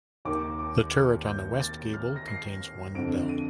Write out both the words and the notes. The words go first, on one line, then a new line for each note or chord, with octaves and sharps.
The turret on the west gable contains one bell.
D#2 D#3 D6
D6
F6
G6
A6
F6
A#6
C7
F2 D3 D7
D#7